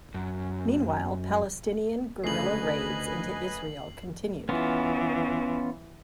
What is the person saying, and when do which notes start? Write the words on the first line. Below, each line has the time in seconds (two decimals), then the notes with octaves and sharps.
Meanwhile, Palestinian guerilla raids into Israel continued.
0.14 F#2
2.24 D2 C#3 A3 B4 D#5 G#5 C7 F#7
4.49 E3 B3 C#4 F4